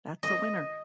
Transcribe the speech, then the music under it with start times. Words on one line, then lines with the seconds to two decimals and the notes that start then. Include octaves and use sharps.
That's a winner!
0.23 D#5